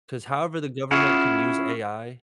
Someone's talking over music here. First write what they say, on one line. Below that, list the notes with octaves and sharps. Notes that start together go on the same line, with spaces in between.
'Cause however the government can use AI,
C#4 E4 F4 G#4 F#5